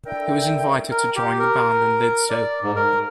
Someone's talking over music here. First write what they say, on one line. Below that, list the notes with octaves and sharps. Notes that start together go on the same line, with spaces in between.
He was invited to join the band, and did so.
D4 E4 A4 A#4 E5 G5
A#4
G4
A#4
D5
G#2
A#4